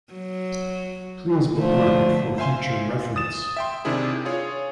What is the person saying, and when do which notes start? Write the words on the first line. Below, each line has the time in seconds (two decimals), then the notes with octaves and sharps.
Please bookmark it for future reference.
0.13 F#3
1.59 D3 F3 A3
2.38 C5 E5 F5 G#5 C6
3.16 D#6 A6 E7
3.57 E5 G5 C6
3.85 C3 D#3 D4 E4 G#4
4.25 F4 G#4 C#5